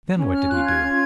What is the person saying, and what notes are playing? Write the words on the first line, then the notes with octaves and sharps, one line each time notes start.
Then what did he do?
C#4
F6
F4 F#6
G#6
C#4